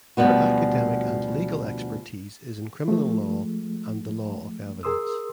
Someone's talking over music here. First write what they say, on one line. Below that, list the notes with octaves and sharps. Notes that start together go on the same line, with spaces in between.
Her academic and legal expertise is in criminal law and the law of evidence.
D2 B2 F3 G3 B3 F#4
F3 G#3 A3
G#4 A#4 C6 D#6 E6